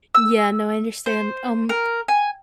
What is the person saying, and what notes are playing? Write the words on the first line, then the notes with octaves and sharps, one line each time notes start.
Yeah, no, I understand. Um,
E6
C5
A#4
G#5